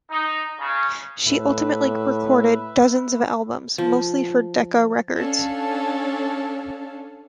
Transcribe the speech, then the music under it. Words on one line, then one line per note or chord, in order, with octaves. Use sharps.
She ultimately recorded dozens of albums, mostly for Decca Records.
D#4
C#3
A2 B4 E5
F3
C#4 D4 A4 F5